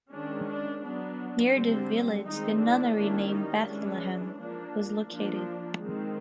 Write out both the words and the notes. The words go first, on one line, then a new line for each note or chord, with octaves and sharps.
Near the village the nunnery named Bethlehem was located.
D#3 G#3 C#4 D4
D4
F#3 B3 D4
D3 G3 C4
D#3 G#3 C4 D#4
D4 E4
D#3 G3 A#3 C#4 D4 E4
D#4
E3 G#3 C#4 D4
F3 A#3 D4
F3 A#3 D4
D#3 G#3 C4